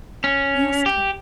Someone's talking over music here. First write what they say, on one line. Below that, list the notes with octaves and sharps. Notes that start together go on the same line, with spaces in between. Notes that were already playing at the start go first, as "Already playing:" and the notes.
"Yes, dear."
C#4
G4